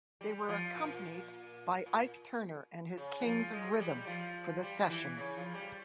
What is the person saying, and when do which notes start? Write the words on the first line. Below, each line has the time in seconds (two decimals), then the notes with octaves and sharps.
They were accompanied by Ike Turner and his Kings of Rhythm for the session.
0.21 G3
0.49 F3
0.75 A#2
1.86 A#2
2.97 C#3
3.20 E3
3.24 F3
3.52 G#3
3.80 G3
4.07 F3
4.62 G3
4.89 E3
5.17 C#3
5.37 F3
5.54 G3